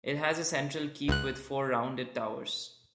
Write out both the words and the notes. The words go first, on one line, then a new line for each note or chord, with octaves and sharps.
It has a central keep with four rounded towers.
C#2 F#6